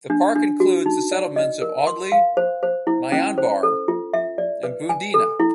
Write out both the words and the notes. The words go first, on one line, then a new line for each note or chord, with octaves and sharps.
The park includes the settlements of Audley, Maianbar and Bundeena.
D4
D4
F#4
D#4
D5
D#5
A#4
C6
F5
C5
C5
E4
C#4
C5
A4
F4
E5
D5
B4
G#5
A4
E4